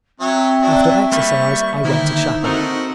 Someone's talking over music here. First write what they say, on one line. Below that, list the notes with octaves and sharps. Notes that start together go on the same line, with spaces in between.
After exercise I went to chapel.
F#3 C4 C#5 E5
F#3 D4
G3 A#3 B4 C#6
D3 D#3 A#3 C4 D#4 E4
C4 F#4 A4 A#4 C5 D#5